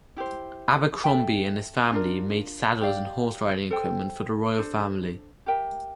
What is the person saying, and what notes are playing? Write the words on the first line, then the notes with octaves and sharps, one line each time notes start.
Abercromby and his family made saddles and horseriding equipment for the royal family.
E4 G4 C5
A4 E5 G5
D4 F4 A#4
G4 D5 F5
A4 C5 G5
D4 A4 C5
G4 A#4 E5 G5